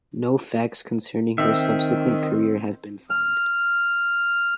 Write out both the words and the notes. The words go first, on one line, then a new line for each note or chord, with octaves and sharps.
No facts concerning her subsequent career have been found.
D#3 C4 E5
F6